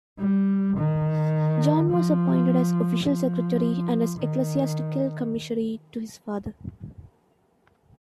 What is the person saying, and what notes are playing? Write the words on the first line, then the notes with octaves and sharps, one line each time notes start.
John was appointed as official secretary and as ecclesiastical commissary to his father.
G3
D#3
F3
F3
D#3